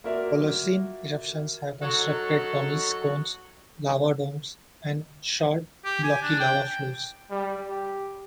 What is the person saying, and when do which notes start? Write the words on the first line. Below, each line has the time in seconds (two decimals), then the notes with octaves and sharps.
Holocene eruptions have constructed pumice cones, lava domes, and short, blocky lava flows.
0.04 A#3 F4 F#4 A#4 D5 E5
1.82 F#3 D#4 F#4 A4 C#5
5.84 G4
6.03 G#5
6.22 D4
6.40 G5
7.30 G3
7.68 G4